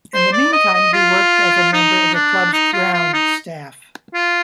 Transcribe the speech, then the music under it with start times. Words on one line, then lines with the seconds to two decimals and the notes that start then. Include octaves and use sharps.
In the meantime, he worked as a member of the club's ground staff.
0.14 C5
0.33 D5
0.53 D#5
0.74 D#5
0.93 F4
1.73 D#4
2.14 D4
2.53 D#4
2.73 F4
2.94 F4
3.13 D#4
4.15 F4